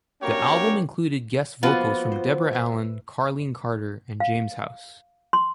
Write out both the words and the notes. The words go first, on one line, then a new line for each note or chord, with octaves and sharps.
The album included guest vocals from Deborah Allen, Carlene Carter, and James House.
F#2 A#3 D4 G4 A#4 C#5
F3 A#3 B3 F4 F#4
C5
B4 E5
F5
C6